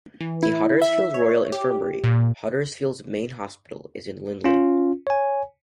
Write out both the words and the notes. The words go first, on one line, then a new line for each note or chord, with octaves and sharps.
The Huddersfield Royal Infirmary, Huddersfield's main hospital, is in Lindley.
E3
E4
E5
C#5
G4
A#2
C#4 F4
C#5 G#5